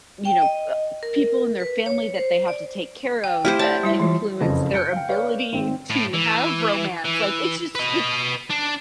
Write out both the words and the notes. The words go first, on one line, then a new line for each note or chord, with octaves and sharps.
You know, uh, people in their family that they have to take care of that influence their ability to have romance, like, it's just it's
G5
D#5
A#4
B4
C#5
C5
D5
G5
A3 E4 G4 C5
C#5 D5 F#5 A5
G3 E4 E5
E3 F4
F#1 F2 C#3 C5 A#6
G6 C#7 D7
F5 G5
B4 C#5 D5 F5
G#1 C4
A2
E3
E3
B4 D#5
D4